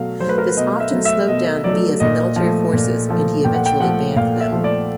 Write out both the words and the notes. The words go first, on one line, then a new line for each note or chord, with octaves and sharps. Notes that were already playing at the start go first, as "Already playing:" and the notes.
This often slowed down Villa's military forces and he eventually banned them.
Already playing: B2 F#3 A3 F5
F#3 C5
A3 B4
A#4
B4
B2 D#5
E5
F#3 A3
E5
B2 D#5
F#3 A3 D5
A#2 D#5
F3 A3
A#2
F3 A3
A#2 G5
F#5
G5
F3 A3 F#5
A#2 F5
E5
F3 A3
D5